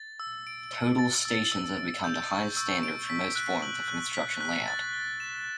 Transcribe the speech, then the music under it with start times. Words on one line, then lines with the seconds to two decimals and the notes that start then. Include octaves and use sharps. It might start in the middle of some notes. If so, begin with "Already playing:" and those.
Total stations have become the highest standard for most forms of construction layout.
Already playing: A6
0.20 E6
0.47 D7
0.73 E6
0.98 A6
1.25 E6
1.52 E6
1.77 D7
2.04 G6
2.31 C#6
2.57 E6
2.83 D7
3.10 B6
3.36 F#6
3.62 F#7
3.88 F#6
4.14 B6
4.41 F#6
4.68 A6
4.93 G7
5.20 E7